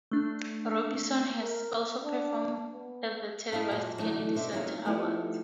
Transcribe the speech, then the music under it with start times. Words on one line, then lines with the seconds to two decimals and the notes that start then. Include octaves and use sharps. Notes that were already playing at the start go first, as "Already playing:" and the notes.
Robinson has also performed at the televised Kennedy Center Awards.
0.11 A3 D4
1.41 A#4
2.03 D4
2.73 B3
3.52 A#3 E4 D#5 F5 A5
3.71 F#2 A#2 F#4 G#4 D#5 G#5
3.99 D3 E3 F#3 A3 D#4
4.34 B2 D4 C5 E5
4.52 F2 F#3 A3 A#3 D#4 F5
4.85 F3 A3 B3 D#4 E4 G4